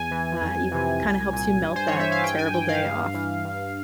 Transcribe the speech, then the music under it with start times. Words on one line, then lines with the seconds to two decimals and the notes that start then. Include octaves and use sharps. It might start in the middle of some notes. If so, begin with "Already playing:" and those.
uh, you kinda helps you melt that terrible day off.
Already playing: E2 G#5
0.11 E3
0.41 F2
0.71 C3 E3
1.02 C2
1.33 A#2
1.63 G2
1.76 C5
1.88 C#5
1.93 E3
2.00 E5
2.12 F5
2.23 G2 G5
2.38 G#5
2.54 E3 G5
2.69 F5
2.84 G2
3.14 E3
3.45 G2